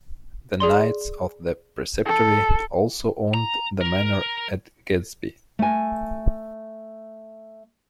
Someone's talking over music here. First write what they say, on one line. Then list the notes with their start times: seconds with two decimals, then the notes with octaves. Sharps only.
The knights of the preceptory also owned the Manor at Gaddesby.
0.60 G#4 D5 C6
2.06 A4
3.34 A#5
3.81 A#4
5.59 A3 G#5